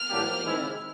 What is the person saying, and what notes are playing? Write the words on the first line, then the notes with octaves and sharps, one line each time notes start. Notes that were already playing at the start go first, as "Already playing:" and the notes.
It really is.
Already playing: F6
A2 F#3 A#3 D4 G4
D#3 G#3 C4 E4